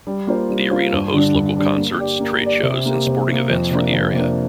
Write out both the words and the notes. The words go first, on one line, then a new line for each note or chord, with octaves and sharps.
The arena hosts local concerts, trade shows and sporting events for the area.
G3
A#3 F4 C5
G3
A#3 F4 C5
G2
D3 G3 D4
G2
D3 G3 D4
A#3
G4 D5
A#3
G4 D5
C3
A#3 G4
C3
A#3 G4
F2
C3 A#3 D4
F2
C3 A#3 D4